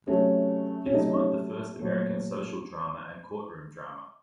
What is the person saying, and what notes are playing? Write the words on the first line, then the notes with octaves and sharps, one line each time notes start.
It is one of the first American social drama and Courtroom drama.
C3 F#3 A3 C#4
C#4
C3 F#3 A3 D#4
C#4
A#2 F#3 A3